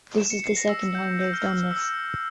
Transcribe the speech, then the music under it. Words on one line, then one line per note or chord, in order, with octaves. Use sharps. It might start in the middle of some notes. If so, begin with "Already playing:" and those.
This is the second time they've done this.
E7
C#7
C7
A#6
E6
G6
G6
F6
E6
E6